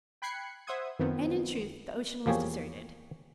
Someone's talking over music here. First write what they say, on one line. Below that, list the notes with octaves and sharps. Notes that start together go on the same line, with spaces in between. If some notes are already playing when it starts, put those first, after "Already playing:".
And in truth, the ocean was deserted.
G5 B5 F#6 G#6 C7 C#7
C5 E5 F#5 C6 D#6 G#6
F#2 D#3 F3 B3 C4
E2 F3 A#3 G4 G#4 C#5